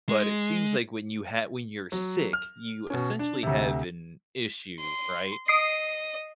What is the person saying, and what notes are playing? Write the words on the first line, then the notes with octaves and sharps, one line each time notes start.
but it seems like when you have when you're sick, you essentially have an issue, right?
G#3
F#3
F6
B2 C#4
D4
D2 C3
C6
D#5 D#6 C7 D7